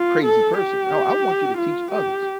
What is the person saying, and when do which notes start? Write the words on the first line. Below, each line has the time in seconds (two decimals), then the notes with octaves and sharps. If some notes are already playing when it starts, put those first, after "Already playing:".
crazy person. I I want you to teach others
Already playing: F4
0.25 A4
0.58 G4
1.58 F4
1.91 G4